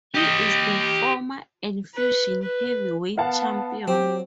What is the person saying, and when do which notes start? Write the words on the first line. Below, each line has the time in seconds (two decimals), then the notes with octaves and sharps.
He is the former Enfusion heavyweight champion.
0.14 G4 D#5
1.94 B4
2.42 B4
3.18 B3 F5 F#5 A5
3.88 F#3 C4 G4